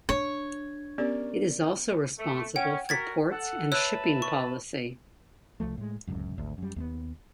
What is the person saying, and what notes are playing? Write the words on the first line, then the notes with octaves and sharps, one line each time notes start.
It is also responsible for ports and shipping policy.
D4 C#5
B3 C#4 G4 A#4 D5
A3
C#4 F#5 G5
F#4 A#4 G#6 A6 B6
A4 F#5
B4 C#5 E5 A5 E6 F#6
C#6
C2 F2 F3 A3
A2 G#3
D1 G#1 C#2 F#2
G#1 D2
F#2 G3
D#2 A#3 B3